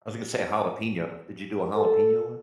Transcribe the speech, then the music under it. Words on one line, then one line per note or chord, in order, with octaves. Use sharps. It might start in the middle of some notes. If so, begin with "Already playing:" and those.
I was gonna say, jalapeno did you do a jalapeno one?
A4